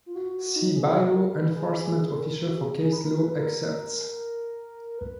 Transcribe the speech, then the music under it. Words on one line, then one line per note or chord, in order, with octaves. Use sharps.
See Bylaw Enforcement Officer for case-law excerpts.
F4
F#4
F#4
D#4
G#4
F#4
A#4
A#4
B4
G#4
G#4
A#4
F#4
G#4
G#4
B4
A#4
B4
A#4
B4